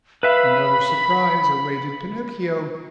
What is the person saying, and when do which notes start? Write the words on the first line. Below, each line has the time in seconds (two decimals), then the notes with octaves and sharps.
Another surprise awaited Pinocchio!
0.23 B4 E5 F5 B5